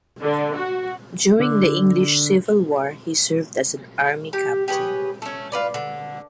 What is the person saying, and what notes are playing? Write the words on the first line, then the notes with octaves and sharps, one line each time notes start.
During the English Civil War he served as an army captain.
D3
F#4
D3
G4
G4 G#4 B4 C#5
A3 C#4
F4 B4 D5
D3